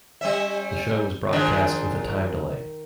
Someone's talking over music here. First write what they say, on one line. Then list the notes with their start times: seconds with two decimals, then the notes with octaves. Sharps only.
The show is broadcast with a time-delay.
0.21 G3 C#4 E5
1.33 D#3 F3 G#3 D4